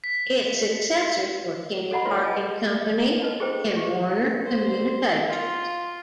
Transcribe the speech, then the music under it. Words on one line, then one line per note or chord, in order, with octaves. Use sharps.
Its successors were Kinney Parking Company and Warner Communications.
B6
A4 D5 D#5 F#5 A#5 B5
E4 F4 B4 C#5 C6
D#5 G#5 A5
B4 D#5 A5
E4 G#4 A4 B4 C5 G5
G4 G#4
C5
F4